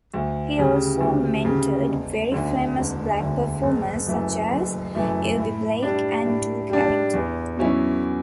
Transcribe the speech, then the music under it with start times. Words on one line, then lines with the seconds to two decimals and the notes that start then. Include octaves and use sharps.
He also mentored very famous black performers such as Eubie Blake and Duke Ellington.
0.14 D2
0.58 C#3 G3
1.01 D2
1.45 C#3 G3
1.88 E1
2.32 D2 D3
2.76 E1
3.20 D2 D3
3.63 F#1
4.07 F#2 E3 A3
4.51 F#1
4.95 F#2 E3 A3
5.38 A2
5.82 G3 D4
6.26 A2
6.70 G3 D4
7.13 E2
7.57 B2 F#3 C#4 E4